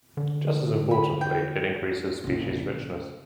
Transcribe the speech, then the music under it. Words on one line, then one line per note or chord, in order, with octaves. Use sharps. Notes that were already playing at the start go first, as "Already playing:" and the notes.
Just as importantly, it increases species richness.
D3
B5
G5
A#1 C#3